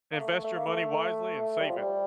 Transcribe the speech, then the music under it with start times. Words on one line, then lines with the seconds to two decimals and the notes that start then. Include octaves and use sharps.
invest your money wisely and save it.
0.13 A#3
0.20 A3
0.44 A3
0.58 A#3
0.67 A3
1.60 G3
1.69 F3
1.77 G3